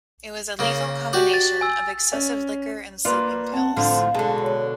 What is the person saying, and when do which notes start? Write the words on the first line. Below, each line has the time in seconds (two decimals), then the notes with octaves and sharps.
It was a lethal combination of excessive liquor and sleeping pills.
0.59 C#3 A#3
1.13 F#4 G4 D5
1.34 A6
1.61 G#5 E6
2.13 C#4
3.05 A#3 F4 B4 D5
3.54 C4 F#5 A5
3.76 A2 D3 F3 F5
4.14 B2 D3 G#3 A5
4.42 C#5